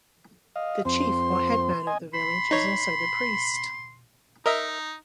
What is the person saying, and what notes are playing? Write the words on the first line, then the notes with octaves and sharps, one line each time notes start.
The chief or headman of the village is also the priest.
D#5 F5
F2 C4 C6
D#5 G#5
B5 C6
D#4 C#5
D#4 A#4 D#5 E5